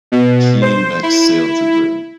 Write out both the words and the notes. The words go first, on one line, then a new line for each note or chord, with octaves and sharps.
"Keying" next sailed to Britain.
B2
C5
E4